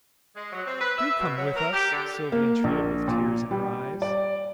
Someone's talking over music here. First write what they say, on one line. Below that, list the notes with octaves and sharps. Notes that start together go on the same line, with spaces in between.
"Do come with us!" Sylvie entreated with tears in her eyes.
G#3
F#3
C4
B4
E5
B2
F#3
A#4
G4
D3
A#3
A#1
A#2
G3
D5